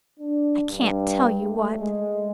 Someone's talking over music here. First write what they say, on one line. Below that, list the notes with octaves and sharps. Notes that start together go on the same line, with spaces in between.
I can't tell you what.
D4
G2
A3
G#3